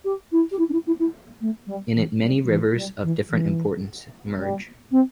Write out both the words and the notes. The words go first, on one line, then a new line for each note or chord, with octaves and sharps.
In it many rivers of different importance merge.
G4
E4
G4
E4
D4
E4
E4
E4
A3
G3
E3
G3
G3
E3
G3
E3
E3
G3
C4